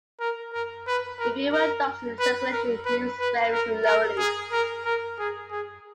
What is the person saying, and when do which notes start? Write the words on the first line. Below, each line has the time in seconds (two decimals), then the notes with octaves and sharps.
The Brewer-Dobson circulation moves very slowly.
0.20 A#4
0.53 A#4
0.87 B4
1.19 A#4
1.52 A#4
2.19 B4
2.52 A#4
2.86 B4
3.19 B4
3.52 A#4
3.85 A#4
4.18 G#4
4.52 A#4
4.85 A#4
5.18 G#4
5.51 G#4